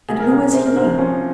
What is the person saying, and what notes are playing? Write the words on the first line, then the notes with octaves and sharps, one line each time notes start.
And who was he?
C2 G#4
A#4
C2 G#4
C3 C5
A#4
C2 C5
F3 C#4